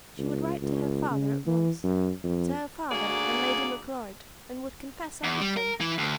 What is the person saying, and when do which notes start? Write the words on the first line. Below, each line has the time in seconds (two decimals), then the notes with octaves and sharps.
She would write to her father at once,--to her father and Lady Macleod,--and would confess everything.
0.18 C#2
0.62 C#2
1.10 C#3
1.47 E3
1.84 F#2
2.24 F2
2.92 D2 F#3 A#3 F#4 G#4 D5
5.24 E2
5.41 G3
5.57 A#4
5.81 E3
5.98 D2